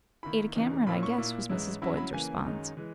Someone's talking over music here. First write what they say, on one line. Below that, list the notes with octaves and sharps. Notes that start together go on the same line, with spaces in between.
"Ada Cameron, I guess," was Mrs. Boyd's response.
D#3 A#3 E4 B5
E2 C#3 E3 A#3 D#4
A#2 A#3 C#4 E4 B5
C#6
A#2 A#3 E4
G#2 E3 G#3 C#4 E4
C#3 F#3 C#4 E4 B5
B5
C#3 E3 A#3 G#5
F#2 D#3 G#3 D#4
E3 G#3